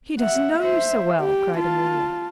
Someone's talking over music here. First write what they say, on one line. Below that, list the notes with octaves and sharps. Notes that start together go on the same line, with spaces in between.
"He doesn't know you so well," cried Amelia.
E5 F#5
C5 E5
G4
F4 A5